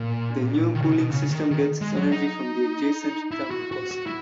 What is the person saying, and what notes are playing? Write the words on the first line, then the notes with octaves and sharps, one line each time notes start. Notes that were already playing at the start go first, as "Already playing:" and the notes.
The new cooling system gets its energy from the adjacent Tammerkoski.
Already playing: A#2
D#3
C#3
B2
C#3
D#3
D#3
G#3
F#3
D#4
E4
F#4
F#4
F#4
E4